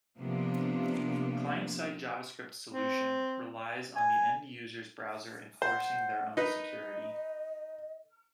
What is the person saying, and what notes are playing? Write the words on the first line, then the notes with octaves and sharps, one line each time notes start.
Client-side JavaScript solution relies on the end-user's browser enforcing their own security.
C3 F3 A#3 B3 D4
C4
G#5
C5 F#5
D#4 B4 D#5